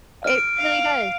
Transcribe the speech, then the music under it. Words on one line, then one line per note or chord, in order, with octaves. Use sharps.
It really does.
F6 D7
F5